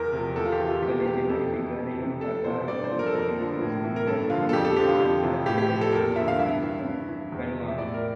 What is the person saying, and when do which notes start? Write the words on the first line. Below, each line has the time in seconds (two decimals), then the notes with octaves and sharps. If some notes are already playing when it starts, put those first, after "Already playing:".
A legendary figure named Tagaro also features in the Melanesian cultures of north-eastern Vanuatu.
Already playing: E2 A#4
0.12 C3 F3
0.36 E2 A4
0.46 F4
0.52 G4
0.59 E3
0.67 F4
0.82 E2 G4
1.06 E3 G4
1.28 F2 A4
1.52 E3
1.76 F2
1.99 C3 E3
2.21 F2 A4
2.44 C3 E3 C5
2.68 G2 D5
2.84 C5
2.91 F3
2.99 A#4
3.06 A4
3.15 F2 A#4
3.38 D3 F3
3.61 A2
3.84 E3
3.96 A#4
4.07 G2 A4
4.30 D3 F3 F4
4.49 A4
4.53 F2 G4
4.65 A4
4.76 D3 F3 G4
4.88 F4
4.99 F2
5.22 C3 E3
5.46 A2 G4
5.58 G4
5.70 F3
5.81 A4
5.92 E2 A#4
6.16 D3 F3 E5
6.28 F5
6.39 G2 E5
6.63 E3
6.85 G2
7.09 E3
7.32 E2
7.55 C3 F3
7.68 E5
7.78 A2 D5
7.94 A#4